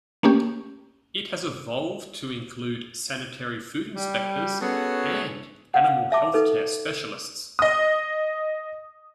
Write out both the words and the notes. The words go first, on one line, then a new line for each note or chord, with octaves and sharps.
It has evolved to include sanitary food inspectors and animal healthcare specialists.
A3 A#3 C#4 G4
G3
B3 C#4 F#4 G#4 A4
F5 F#5
E5 A5 D6
D#4 A4 B4
D#5 D#6